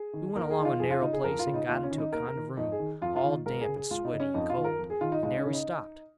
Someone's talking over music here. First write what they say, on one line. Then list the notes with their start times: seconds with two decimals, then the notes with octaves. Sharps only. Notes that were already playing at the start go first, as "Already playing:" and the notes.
We went along a narrow place and got into a kind of room, all damp and sweaty and cold, and there we stopped.
Already playing: G#4
0.13 D#3
0.35 D#2 A#4
0.50 G#4
0.57 D#3 D#4
0.65 F4
0.80 F2 G#4
0.90 F4
1.02 C#3 D#4
1.13 G#4
1.24 F2 A#4
1.39 F4
1.46 C#3
1.54 D#4
1.68 D#2 F4
1.83 C#4
1.91 D#3
1.98 D#4
2.12 D#2 A#4
2.28 A#4
2.35 D#3
2.57 F2 D#4
2.72 G#4
2.79 D#3
3.02 F2 F4
3.16 F4
3.24 D#3
3.46 C#2 A#4
3.61 G#4
3.68 C#3
3.76 G#4
3.90 C#2 F4
4.05 D#4
4.13 C#3
4.20 C#4
4.34 F2 D#4
4.50 F4
4.57 D#3
4.64 A#4
4.79 F2
4.90 G#4
5.01 D#3 F4
5.12 D#4
5.23 C#2 D#4
5.38 C#4
5.45 C#3
5.53 D#4